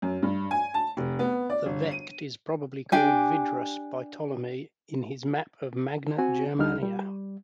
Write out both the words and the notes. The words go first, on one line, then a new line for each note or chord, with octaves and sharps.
The Vechte is probably called Vidrus by Ptolemy in his map of Magna Germania.
F#2
G2
G#5
A5
F1
B3
D5
G1
D#7
D4 G4 G#5
C4 F#4 G#5
D2 D3 G3 D#4 F6
G3